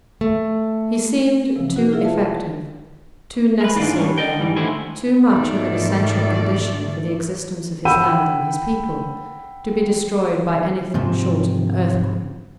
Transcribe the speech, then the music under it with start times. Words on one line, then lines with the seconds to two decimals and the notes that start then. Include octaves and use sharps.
He seemed too effective, too necessary there, too much of an essential condition for the existence of his land and his people, to be destroyed by anything short of an earthquake.
0.21 A3
1.56 C3 E3 F3 G#3
1.76 D#4 F#4 B4 F#5
1.91 E4 F4 G#4 E5 F5
2.04 B4 A5
3.61 A#4 B4
3.75 G#2 D#3 E3 A#3 D4 F4
3.95 G3 C#4 D4
4.18 D5 D#5 G5
4.39 G#2 E3 G3
4.57 D3 D#3 A3 E4 C5 G#5
5.27 G#2 B2 D#3 A3 D5
7.85 F#5 G5 B5 E6 G6 D#7
10.94 G#2 C3 F3